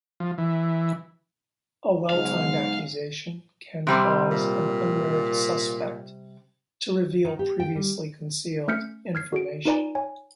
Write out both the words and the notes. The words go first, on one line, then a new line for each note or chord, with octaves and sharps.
A well-timed accusation can cause an unnerved suspect to reveal previously concealed information.
F3
E3
G#2 C#3 F#3 B3 F5
C3 G3 C4
A#2
D#3
G4
G5
G3
A3 C#4 F6 G6 B6 C#7
F6 G#6 C7
F#4 G#4 D7
D#4 F4 B4 D5 G#5 A#5
C#5 G#5